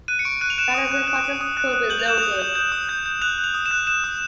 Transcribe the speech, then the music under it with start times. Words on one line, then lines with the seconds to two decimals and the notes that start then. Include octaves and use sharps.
The alluring result is cool, reloaded.
0.08 F#6 D#7
0.19 C#7
0.25 C#6 D7
0.41 F#6 D#7
0.50 F7
0.58 F#6 E7
0.75 D#6
0.92 F#6
1.08 F#6
1.24 D#6
1.41 D#6
1.57 F#6
1.74 F#6
1.90 G6 F#7
2.00 F7
2.06 G6 E7
2.18 D#6 F7
2.40 G6
2.55 G6
2.72 D#6
2.89 G6
3.06 G6
3.22 F#6 F7
3.38 F#6
3.44 F7
3.54 D#6
3.66 E7
3.71 F#6
3.87 F#6 E7
4.04 D#6